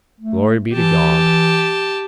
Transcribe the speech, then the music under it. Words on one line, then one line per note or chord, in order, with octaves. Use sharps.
Glory be to God.
A3
E3 G4 A5